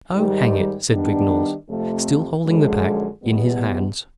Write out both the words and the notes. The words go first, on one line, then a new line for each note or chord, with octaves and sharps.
"Oh, hang it!" said Vignolles, still holding the pack in his hands.
G#2 D#3 G3
D#3 G3 B3 D4
F2 C3 F3 A3
F#2 D3 F3 G#3
E2 B2 G3 B3